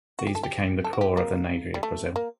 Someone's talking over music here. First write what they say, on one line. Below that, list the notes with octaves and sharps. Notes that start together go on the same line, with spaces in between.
These became the core of the Navy of Brazil.
F#4
G4
A4
G4
A4
F#4
G4
A#3
G3
A3
A#3